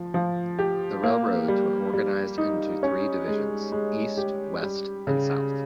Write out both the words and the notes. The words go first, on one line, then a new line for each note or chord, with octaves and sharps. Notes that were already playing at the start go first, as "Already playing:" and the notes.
The railroads were organized into three divisions: East, West, and South.
Already playing: F3
F3
G4
A#3
G3
G3
D#4
C#4
G#3
G#3
G4
G3
C#3